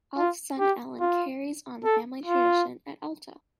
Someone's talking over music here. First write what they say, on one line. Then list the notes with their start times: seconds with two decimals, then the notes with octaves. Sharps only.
Alf's son Alan carries on the family tradition at Alta.
0.17 F4
0.59 G4
1.00 F4
1.84 A4
2.26 F4